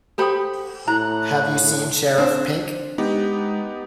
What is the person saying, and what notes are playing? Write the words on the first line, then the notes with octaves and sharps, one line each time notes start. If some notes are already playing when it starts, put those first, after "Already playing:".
Have you seen Sheriff Pink?
G4 A4 C5 G5 B5 D#6
A2 E4 A#5 F#6
C4 D4 C5
G#3 B3 D#4 G4